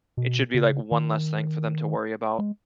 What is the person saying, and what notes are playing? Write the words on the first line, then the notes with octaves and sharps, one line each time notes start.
it should be, like, one less thing for them to worry about.
B2
C#3
D#3
G#3